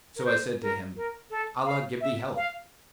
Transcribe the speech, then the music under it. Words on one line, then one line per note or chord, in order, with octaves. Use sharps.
So I said to him, 'Allah give thee health!
A#4
C5
A#4
A#4
A4
F5
E5
F5